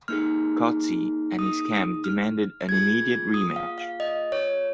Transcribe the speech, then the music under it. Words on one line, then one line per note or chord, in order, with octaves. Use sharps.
Coetzee and his camp demanded an immediate rematch.
A#3 D#4 G#4 F6
D#6
F6
A#3 F4 G#4 G#6
D#6
F5
F5
D#5
C#5